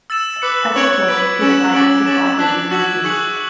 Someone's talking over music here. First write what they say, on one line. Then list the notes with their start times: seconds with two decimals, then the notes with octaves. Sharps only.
As a poet he was identified with the Movement.
0.10 E6 A6 E7
0.42 B4 D6 F#6 C#7 E7
0.75 C#5 G#6 D7 F#7
1.08 B4 G#6 B6 D7 F#7
1.40 C#4 E6 A6 E7
1.73 C#4 D6 A6 D7 F#7
2.06 C#4 D6 A6 E7
2.39 D4 F#6 B6 F#7
2.71 F#4 E6 G#6 B6 F#7
3.03 G#4 C#6 F#6 C#7 F#7